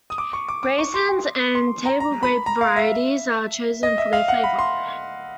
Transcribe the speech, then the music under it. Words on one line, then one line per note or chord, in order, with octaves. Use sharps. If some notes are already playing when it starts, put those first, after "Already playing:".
Raisins and table grape varieties are chosen for their flavour.
D#6
D6
C#6
D6
D6
C#6
C6
C6
A#5
A#5
B5
A#5
F5
E5
D#5
E5
F5
F#5
B5
C6